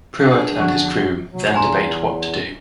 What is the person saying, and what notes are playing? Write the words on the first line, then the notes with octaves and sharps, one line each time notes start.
Pruett and his crew then debate what to do.
B3 D4 G#4 D5
F2 D3 F#3 F#5 C#6 F#6
F#3
E2 G#5 A#5 C6